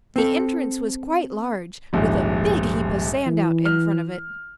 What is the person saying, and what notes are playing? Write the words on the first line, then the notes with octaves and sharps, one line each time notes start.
The entrance was quite large with a big heap of sand out in front of it.
C4 A4
D#1 A#1 G#2
E3
F6